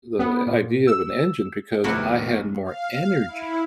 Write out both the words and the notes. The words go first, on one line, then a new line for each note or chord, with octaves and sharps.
the idea of an engine because I had more energy,
B3
A#2
E6
F1 B1 C3 D#3 A3 B3 E4 F#4
F5
E4